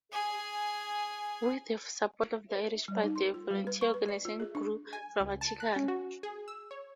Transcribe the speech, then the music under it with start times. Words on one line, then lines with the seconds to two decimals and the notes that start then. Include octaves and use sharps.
With the support of the Irish Party the Volunteer organisation grew dramatically.
0.12 G#4 G#5
2.88 G3
3.03 D#4
3.16 C6
3.34 F4
3.51 G3
3.67 B4
3.81 C#6
3.94 B4
4.09 D5
4.25 F4
4.40 G#4
4.55 D4
4.93 G#5
5.20 C#2
5.41 A5
5.60 F#6
5.76 C#4
5.88 F#4
6.23 G#4
6.48 E6
6.71 C#5